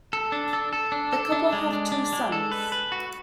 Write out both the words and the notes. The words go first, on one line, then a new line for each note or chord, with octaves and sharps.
The couple have two sons.
A4
D4
A4
A4
D4
A4
D4
G#3
D4
D4
G#3
A4
B4
B4
F#4